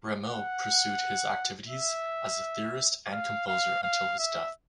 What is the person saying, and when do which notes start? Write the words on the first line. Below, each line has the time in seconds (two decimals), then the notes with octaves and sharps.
Rameau pursued his activities as a theorist and composer until his death.
0.25 F#5
1.68 E5
3.12 F5
3.48 F5
3.84 F5
4.19 E5